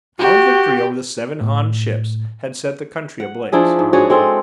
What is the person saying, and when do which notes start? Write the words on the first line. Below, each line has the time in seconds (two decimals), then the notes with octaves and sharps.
Our victory over the seven Han ships had set the country ablaze.
0.19 F#4 G4
1.41 A2
3.20 F#5
3.52 F3 D4 E4 G#4
3.79 G#2
3.93 D4 F#4 G#4 C#5
4.10 G#3 C4 G#4 A4